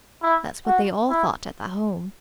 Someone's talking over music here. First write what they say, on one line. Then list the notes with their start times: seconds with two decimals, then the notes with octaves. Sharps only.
That's what they all thought at the Home.
0.22 E4
0.66 F#4
1.10 E4